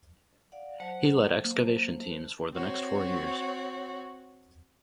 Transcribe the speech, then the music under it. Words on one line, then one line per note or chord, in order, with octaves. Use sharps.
He led excavation teams for the next four years.
D5 F5 F#5
F#3 C5 F#5 A5
A#3
C4 F#4 C#5